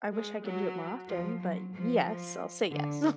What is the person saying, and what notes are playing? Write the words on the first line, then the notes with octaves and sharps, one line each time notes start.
I wish I could do it more often, but yes, I'll say yes.
G#3
F#3
F3
F#3
F3
D3